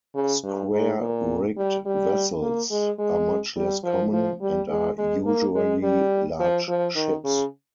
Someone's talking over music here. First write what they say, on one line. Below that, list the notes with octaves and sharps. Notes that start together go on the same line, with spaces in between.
Square-rigged vessels are much less common, and are usually large ships.
C#3
G2
G#2
A#2
G3
G3
A#3
G#3
G#3
G3
F3
F3
G3
G#3
G#3
A#3
G#3
G3
F3
F3
D#3
C#3